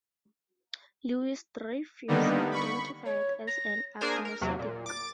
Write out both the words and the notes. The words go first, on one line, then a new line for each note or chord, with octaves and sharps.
Louis-Dreyfus identified as an agnostic.
D3 D#3 G3 A#3 B3 D#4
B5 C#6
C#5
A#6
A#3 D4 G#4 A#4 C5 G#5
A#4
E2 C3 F#3 A#3
A#2
D6 A6